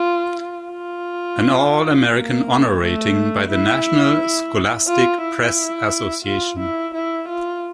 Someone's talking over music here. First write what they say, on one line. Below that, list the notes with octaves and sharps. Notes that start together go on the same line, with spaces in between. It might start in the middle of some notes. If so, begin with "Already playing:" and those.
An All-American honor rating by the National Scholastic Press Association.
Already playing: F4
F4
A#3
A3
E4
F4
E4
F4
E4
E4
F4